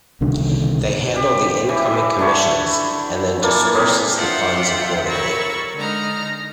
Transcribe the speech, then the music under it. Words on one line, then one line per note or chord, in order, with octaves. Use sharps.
They handle the incoming commissions, and then disburses the funds accordingly.
C2 B2 D3 D#3
G4
E3 E4
D3 E4 C#5 B5
A#2 E3 A#3 A4
C3 G4 G#4
D4 F4 E5 F#5 G5
A#4 C#5 B5 C#6 E6 A6
D3 G#3 D#4 A#5 F6